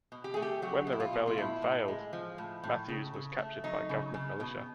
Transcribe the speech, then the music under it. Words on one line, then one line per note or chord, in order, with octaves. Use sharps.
When the rebellion failed, Matthews was captured by government militia.
B2
G4
A3 G#4
G4
F#3 F#4
B2
E4
F4
B2
F4
A2 E4
A2
G#3
F3
A2
A2
C#3
C#3
A3
F#3 D#4
C#3
C#3
B2